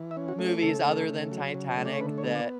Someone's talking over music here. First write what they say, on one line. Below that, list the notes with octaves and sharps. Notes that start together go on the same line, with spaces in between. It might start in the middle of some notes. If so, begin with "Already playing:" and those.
movies other than Titanic that
Already playing: E3
E5
C#4
F#4
A3
F#4
C#3 A4
A3
C#3
F#3
C#3
A3
D5
C#5
D3 B4
C#5
B3
D5